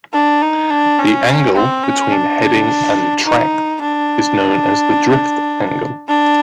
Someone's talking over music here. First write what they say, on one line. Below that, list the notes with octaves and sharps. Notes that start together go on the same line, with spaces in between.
The angle between heading and track is known as the drift angle.
D4
D#4
D4
C#4
C4
C#4
D4
D#4
D4
D4